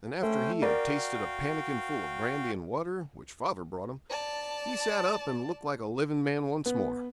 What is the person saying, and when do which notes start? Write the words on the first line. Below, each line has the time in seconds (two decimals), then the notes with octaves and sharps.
And after he had tasted a pannikin full of brandy and water, which father brought him, he sat up and looked like a living man once more.
0.22 A3 C#4 C5 G5
0.62 F#4 A#4 D5 F5 G5
4.10 D5 A5
6.66 B3